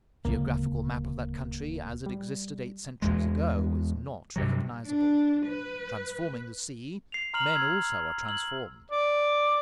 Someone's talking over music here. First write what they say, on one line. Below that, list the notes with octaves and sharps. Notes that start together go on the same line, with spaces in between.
A geographical map of that country as it existed eight centuries ago is not recognizable. Transforming the sea, men also are transformed.
D1 C#2 A#3
G3
E2 G#3
G2 C3 F#3
D4
B4
C7 F7
A#5 C6 F6 C7 F7 F#7
E6 G#6
E6 G#6 F#7
D5